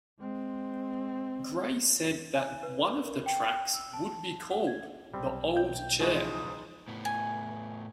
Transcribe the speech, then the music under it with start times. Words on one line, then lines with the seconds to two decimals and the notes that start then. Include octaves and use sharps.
Gray said that one of the tracks would be called "The Old Chair".
0.19 G#3 C4
2.35 G#5
2.63 B4
3.03 A#4
3.26 G5
3.75 E6
3.93 A5
4.51 F#5
4.67 G#6
5.14 B1 G3 C4
5.56 G5 G6
6.00 C#2 E3 F3 G#3 B3 D#4 F#4
6.88 A2 B3
7.05 G#5